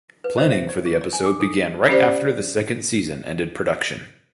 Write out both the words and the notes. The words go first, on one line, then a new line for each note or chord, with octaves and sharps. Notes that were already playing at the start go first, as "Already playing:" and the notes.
Planning for the episode began right after the second season ended production.
B4
C5
E5
D5
G4
D5
G#5
D6
A4
C#4 G4 C5 D5